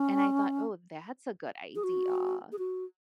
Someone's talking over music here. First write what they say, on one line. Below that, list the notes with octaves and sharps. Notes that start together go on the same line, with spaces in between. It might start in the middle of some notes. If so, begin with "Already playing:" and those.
and I thought, "Oh, that's a good idea."
Already playing: C#4
G#4
F#4
G#4
F#4